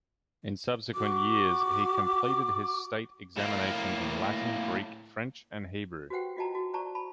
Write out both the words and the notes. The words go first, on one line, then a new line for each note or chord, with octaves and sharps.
In subsequent years, he completed his state examination in Latin, Greek, French and Hebrew.
F#4 D6
A2 A#3
F#4 G4 B4 C5 F#5 G5
F4 F#4 D#5 G5 A5 A#5
E4 F#4
C5 D5 A5 A#5 C#6
A5 B5